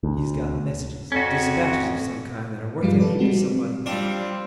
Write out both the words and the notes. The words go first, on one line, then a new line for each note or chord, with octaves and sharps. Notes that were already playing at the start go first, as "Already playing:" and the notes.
He's got messages, dispatches of some kind that are worth a heap to somebody.
D2
F2 C#4 F#4
G2 A#2 F3 G3 G#3 F4
A4 B4 D5
G3 G#3 C4 F#4
G3 C4 D4 F4